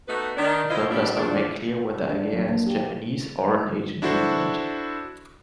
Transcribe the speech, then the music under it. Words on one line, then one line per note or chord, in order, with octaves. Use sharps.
The film does not make clear whether Ageha is Japanese or an Asian immigrant.
A3 B3 D#4 F#4 B4
D#3 D4
E4 F4 C5 D#5
G3 C#4 D4
E2 A#2 D4
D4
F#3
A#3
G4
D4 E4 F#4 A4 C5